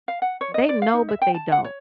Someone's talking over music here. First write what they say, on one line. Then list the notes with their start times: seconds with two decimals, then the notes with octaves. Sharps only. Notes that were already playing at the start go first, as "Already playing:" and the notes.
they know, but they don't.
0.08 F5
0.22 F#5
0.41 C#5
0.54 D#5
0.69 D5
0.82 F5
0.94 D#4
1.09 E5
1.22 G5
1.35 A5
1.52 F#5
1.64 C#5